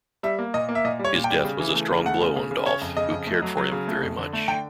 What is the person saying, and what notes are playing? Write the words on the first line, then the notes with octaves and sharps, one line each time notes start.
His death was a strong blow on Dolf, who cared for him very much.
G3 E5
A#3
A#2 D#5
A#3
E5
A#2 D#5
G3
C#5
A#2
G5
G3
C#3
E3
A3
C#3
A3 F#5
C#3
C#3
C#3
C#3 C#5
F2
C#3 D#5
F2
A3
F#3
F#3
C#3
A3
F2
D3
A3
D3 G5